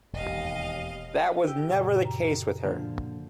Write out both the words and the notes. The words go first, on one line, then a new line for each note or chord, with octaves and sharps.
That was never the case with her.
E1 D#2 D#5 F5
G4 E6
F#2 A#2 C#3
A#5
A#2 D3 F3